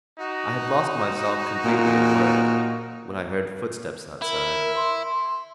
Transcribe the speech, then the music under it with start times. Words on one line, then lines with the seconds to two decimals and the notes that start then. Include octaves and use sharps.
I had lost myself completely in work, when I heard footsteps outside.
0.19 D#4 F#4
1.64 A#2
4.22 E4 A#4
4.75 C6